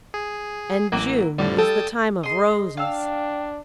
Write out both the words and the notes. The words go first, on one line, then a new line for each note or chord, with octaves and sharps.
And June is the time of Roses.
G#4
A1 E3 F#3 A#3
F2 A2 D3 G3
A4 G5 A5 D#6
G#4 D#5 C6
D4 F5 G5 E6